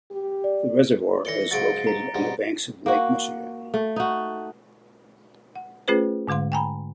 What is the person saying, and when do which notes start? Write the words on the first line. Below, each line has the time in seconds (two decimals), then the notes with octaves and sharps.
The reservoir is located on the banks of Lake Michigan.
0.11 G4
0.44 D5
1.25 E3 D5 A#6 C#7 G7
1.51 G#2 C#3 F#3 A6 D7
1.87 A#5
2.14 G#2 B2 G3
2.86 A#3 F#4
3.74 A3
3.96 D#4 F#4
5.56 F#5
5.88 A3 C#4 F4 G#4 B4 C5
6.27 G#2 D3 G#3 F5 C6
6.52 G5 G#5 A#5 B5